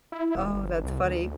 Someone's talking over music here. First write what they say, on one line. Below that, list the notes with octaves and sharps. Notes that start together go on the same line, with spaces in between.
Oh, that's funny.
E4
D#1
G1
C2
D2